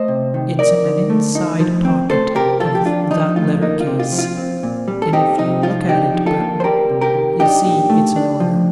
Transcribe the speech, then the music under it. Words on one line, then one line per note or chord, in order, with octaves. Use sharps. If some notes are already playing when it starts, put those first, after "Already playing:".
It's in an inside pocket of that letter-case, and if you look at it, Breton, you'll see it's in order.
Already playing: A3 C5 D#5
C3
D#3
D#4 A#4 D5
D3
A3
D#4
F3
C4
A3 A4 C5
C3 G4 A#4
F3 F4 A4
G4
D4 F4
F3 D#4
A3 F4
A#3 D#4
F4
C3
F4
F3
F4
C4
A#2
G3
A4
C4 D#4 G4
C3 D#4
F3 F4
D4 D#4 G4
F3
F4 A4
A#3
C5
G3 G4 A#4
C3
G4 A#4
D#3
D4 D#4 G4
A#2
A3
D4
F3